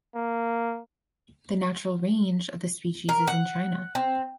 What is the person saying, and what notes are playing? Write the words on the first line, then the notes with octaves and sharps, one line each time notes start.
The natural range of the species is in China.
A#3
A#4
F#5
C4